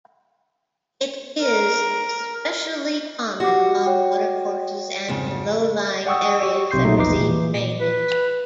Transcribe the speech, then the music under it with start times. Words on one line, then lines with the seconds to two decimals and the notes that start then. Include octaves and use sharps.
It is especially common along watercourses and in low-lying areas that receive drainage.
1.42 A#4
3.40 F#4 G4 F#5 D6
3.86 C#5 G5
5.08 F2 G#2 C#3
6.06 D5 F#5 G5 C#6 D#6 E6
6.43 G4 C#6
6.71 B1 C3 C6 G6 C7
6.84 A#2 F#3 A3 D#4 G#4
6.97 A#1 E2 D#4 B4 D6 C7
7.20 A#2 E3
7.80 B4